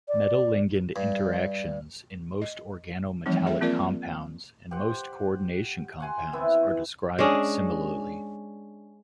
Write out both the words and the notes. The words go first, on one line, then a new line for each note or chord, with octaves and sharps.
Metal-ligand interactions in most organometallic compounds and most coordination compounds are described similarly.
D5
G2 D5
D#5
E3 F3 G3 A3 C4 D#4
G#4 E5 G5
A#3 C4 F4 A#4 D5
G4 C5 F#5
F#5 G#5 C6
E3 B3 C4 E4
G#3 C#4 D4 G#4